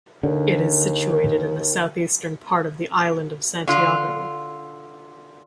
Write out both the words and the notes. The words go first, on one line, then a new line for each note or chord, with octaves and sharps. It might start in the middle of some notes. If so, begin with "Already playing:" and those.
It is situated in the southeastern part of the island of Santiago.
D#2 D3
D3 F4